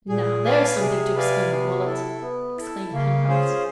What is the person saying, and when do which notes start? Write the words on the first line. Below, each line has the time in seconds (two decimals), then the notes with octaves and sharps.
"Now there's something to explain the bullet!" exclaimed Pencroft.
0.09 A#2 G#4
0.45 B4 D5 F5 G#5
0.80 C3 G#4
1.15 B4 D5 F5 G#5
1.51 B3
1.86 E4 A4
2.22 B3
2.57 E4 A4
2.92 C#3 A#3
3.28 C#4 F4 G#4 C5